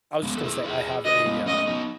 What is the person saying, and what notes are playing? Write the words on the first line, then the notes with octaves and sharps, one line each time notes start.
I was just gonna say, I have a, um
G#3 B3
A4
E4 G#4
G#4 B4
F#4 A4 D#5
G#3 B3
A3 C#4 D#5
B3 D#4